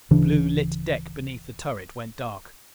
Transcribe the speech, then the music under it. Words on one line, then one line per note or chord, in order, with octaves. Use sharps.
The blue lit deck beneath the turret went dark.
D1 C#3 E3 D4